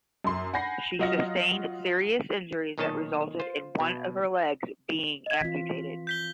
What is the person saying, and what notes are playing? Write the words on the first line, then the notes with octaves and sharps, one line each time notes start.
She sustained serious injuries that resulted in one of her legs being amputated.
F#2 C6
F#5 G#5 B5 G6 A#6 C7
F#3 F4 D#5 F#5 F6 A#6
B1 A#2 D#3 C#5 D#5 A5
F4 C5
B2
D#5 G#6
E3 C4 F4 B6
G6 B6 G7